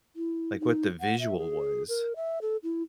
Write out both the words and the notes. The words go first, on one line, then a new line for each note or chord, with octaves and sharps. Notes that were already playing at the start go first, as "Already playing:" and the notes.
like, what the visual was.
E4
D#4
F#5
E5
G#4
A#4
E5
A4
E4